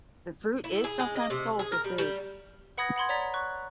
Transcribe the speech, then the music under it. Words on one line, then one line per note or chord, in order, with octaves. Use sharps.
The fruit is sometimes sold for food.
E4
G#4
G#3
D#5
C3
G#4
A#4
G3
G3
B4 F#5 B5 D#6 G#6 A#6
F#5 B5 C6 G#6
C#5 D5 A#5 B6
C#6 F#6